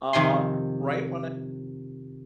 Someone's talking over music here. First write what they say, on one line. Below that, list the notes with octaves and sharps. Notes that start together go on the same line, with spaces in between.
uh, er, right, when I
F2 C3 D#3 G#5 C6